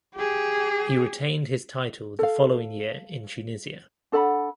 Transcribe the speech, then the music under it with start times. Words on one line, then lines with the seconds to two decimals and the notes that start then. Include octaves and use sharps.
He retained his title the following year in Tunisia.
0.15 G4 G#4
2.19 A4 F5
4.12 D4 A4 F#5 B5